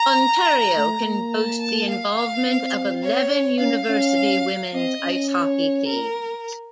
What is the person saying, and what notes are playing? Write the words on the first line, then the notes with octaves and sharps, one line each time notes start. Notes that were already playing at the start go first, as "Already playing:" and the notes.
Ontario can boast the involvement of eleven university women's ice hockey teams.
Already playing: A#5
A3
A#3
A5
A5
F5
C4
C#5
C#4 F5
C#4
C4 D#5
C#4
C#5
A#4